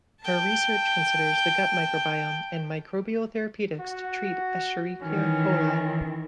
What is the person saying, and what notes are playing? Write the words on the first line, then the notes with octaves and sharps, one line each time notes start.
Her research considers the gut microbiome and microbial therapeutics to treat Escherichia coli.
G5 A5
F#4
D#3 E3 C#4